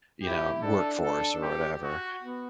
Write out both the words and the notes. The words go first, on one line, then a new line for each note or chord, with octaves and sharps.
you know, workforce or whatever?
E4 G4
D4 A4
A4
G4
F#4
B3